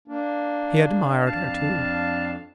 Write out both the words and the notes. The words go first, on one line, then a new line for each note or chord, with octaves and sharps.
He admired her, too.
A#3 D4
F2 D4 F5 A5